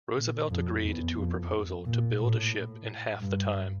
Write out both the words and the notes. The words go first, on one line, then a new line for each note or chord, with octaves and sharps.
Roosevelt agreed to a proposal to build a ship in half the time.
A#2
F2
E2
F2
A#2
A2
G2